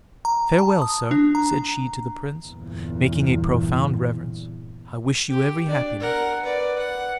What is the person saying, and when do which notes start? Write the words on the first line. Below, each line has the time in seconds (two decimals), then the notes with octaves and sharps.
"Farewell, sir," said she to the prince, making a profound reverence, "I wish you every happiness."
0.25 A#5
0.58 A5
0.82 D#6
1.11 D4
1.35 A#5
2.44 G1 E2 A#2
5.30 G4
5.68 D4 D5
6.00 A#4 F#5
6.42 B4 D5
6.79 F#5